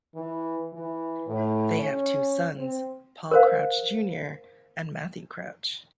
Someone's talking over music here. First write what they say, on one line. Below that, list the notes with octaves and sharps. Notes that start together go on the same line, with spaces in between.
They have two sons, Paul Crouch, Junior and Matthew Crouch.
E3
E3
A2
C#4
C4
A#4 C5 F5